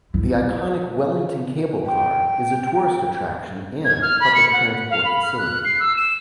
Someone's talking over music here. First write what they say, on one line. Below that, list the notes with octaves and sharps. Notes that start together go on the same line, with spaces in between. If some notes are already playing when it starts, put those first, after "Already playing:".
The iconic Wellington Cable Car is a tourist attraction and public transport facility.
E4
G5
G#6
F6
B5
C#7
F#5
F5
B5
F6
F#6
C7
E6
E7